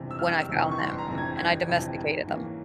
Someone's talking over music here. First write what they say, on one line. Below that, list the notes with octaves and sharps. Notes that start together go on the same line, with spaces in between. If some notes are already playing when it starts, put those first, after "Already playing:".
when I found them and I domesticated them.
Already playing: G1 F2 C3 E3
E6
G1 F6
E6
F2 C3 E3
C#6
C#6
G1 C6
A#5
F2 C3 E3
G#6
G1 G#6
F2 C3 E3
G#2
E3 A#3 C#4